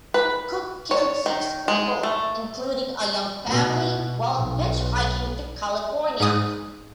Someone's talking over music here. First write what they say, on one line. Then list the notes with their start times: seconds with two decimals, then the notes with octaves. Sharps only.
Cook killed six people, including a young family, while hitchhiking to California.
0.14 B4
0.91 C#5
1.26 D#3
1.68 G#3
2.03 A3
3.48 B2
4.37 B1
6.20 G#2 D#6